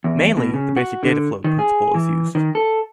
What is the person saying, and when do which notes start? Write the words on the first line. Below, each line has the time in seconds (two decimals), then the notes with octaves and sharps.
Mainly, the basic dataflow principle is used.
0.04 E2
0.37 B2
0.54 C#3
0.76 F#4
1.03 D3
1.44 D#3
1.59 G#4
1.95 E3
2.35 D#3
2.55 A4